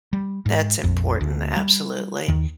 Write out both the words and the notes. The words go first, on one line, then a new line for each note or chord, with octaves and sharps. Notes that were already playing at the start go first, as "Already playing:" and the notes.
That's important, absolutely.
G3
G#2
A#1 F2
D2
G3
D#2 D#3